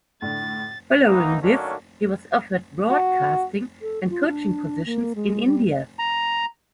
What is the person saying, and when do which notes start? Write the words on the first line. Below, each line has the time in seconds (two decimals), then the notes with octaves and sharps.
Following this he was offered broadcasting and coaching positions in India.
0.22 A2 D3 A6
1.06 E3 A#3 B3 D#4
1.42 D3 D#3 F#3 A#3 C#4 D4
2.90 F#4
3.81 A4
4.10 F4
4.28 D4
4.86 A#3
5.15 G#3
5.45 G3
5.70 D#5
5.99 A#5